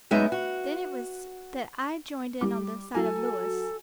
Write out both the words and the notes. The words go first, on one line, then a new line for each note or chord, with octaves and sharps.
Then it was that I joined in on the side of Louis.
F#2 G#3 B3 D#4 E5
F#4
G3 D6
F#3 A4 G#5